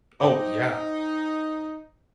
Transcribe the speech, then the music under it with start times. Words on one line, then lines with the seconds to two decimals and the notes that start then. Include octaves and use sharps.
Oh, yeah.
0.20 D#4 C5 G5 D6